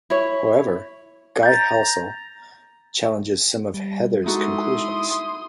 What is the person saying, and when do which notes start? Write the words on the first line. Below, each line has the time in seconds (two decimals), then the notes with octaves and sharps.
However, Guy Halsall challenges some of Heather's conclusions.
0.10 E4 C#5
1.43 A#5 G6 A6
3.74 G3
4.26 G#3 D#4 E4 F#4 A4 C6 D#6